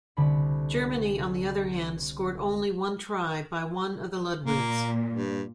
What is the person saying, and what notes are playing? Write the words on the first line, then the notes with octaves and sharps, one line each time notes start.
Germany, on the other hand, scored only one try, by one of the Ludwigs.
C2 D3 B5
A#2 A#3
G2